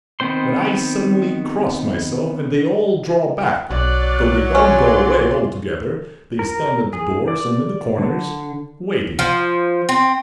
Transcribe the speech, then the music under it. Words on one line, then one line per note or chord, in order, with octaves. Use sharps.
But I suddenly cross myself and they all draw back, though they don't go away altogether, they stand at the doors and in the corners, waiting.
D#3 B3 C4 C5 C6
B1 F#3 D5 F#6
C#4 D5 C6
A#4
G#4
D5
D3
F3
C4